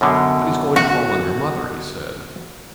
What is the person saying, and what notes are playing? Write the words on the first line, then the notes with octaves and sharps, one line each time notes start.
"But he's going to call on your mother," he said.
F#2 B2 D3
F#4